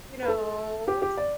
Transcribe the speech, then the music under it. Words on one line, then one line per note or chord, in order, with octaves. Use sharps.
you know
B4
A4
G4
G4
D5